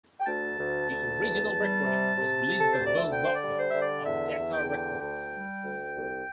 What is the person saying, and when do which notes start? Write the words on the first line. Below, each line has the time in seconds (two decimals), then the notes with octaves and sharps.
The original recording was released by Buz Butler on Decca records.
0.20 G5
0.26 D2 A5
0.59 D2
0.90 D2
1.21 E2
1.53 G3
1.85 C3
2.16 C3
2.48 C3
2.60 A4
2.72 C5
2.80 D2
2.86 D5
2.98 E5
3.11 D3 G5
3.23 C5
3.35 D5
3.43 G3
3.58 C5
3.70 D3 E5
3.82 D5
4.06 E2 E5
4.30 E5
4.38 E2
4.54 G5
4.69 D3
4.77 G5
5.01 D2 G5
5.32 G3
5.64 D2
5.96 C2